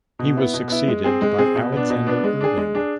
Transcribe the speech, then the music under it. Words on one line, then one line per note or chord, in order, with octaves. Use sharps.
He was succeeded by Alexander Irving.
B2
B3 E4
B2
B3 E4
G#3
C4 G#4
G#3
C4 G#4
B2
B3 D4
B2
B3 D4
G#3
D4 G#4
G#3
D4 G#4